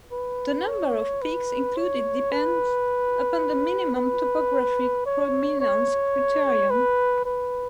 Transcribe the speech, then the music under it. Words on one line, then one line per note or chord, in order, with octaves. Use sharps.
The number of peaks included depends upon the minimum topographic prominence criterion.
B4
C#5
B4
C#5
B4
B4
C#5
C#5
B4
B4